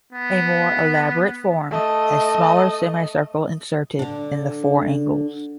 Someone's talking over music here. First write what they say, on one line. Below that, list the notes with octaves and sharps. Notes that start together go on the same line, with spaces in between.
A more elaborate form has smaller semicircle inserted in the four angles.
B3
A3 D#5
D3 D4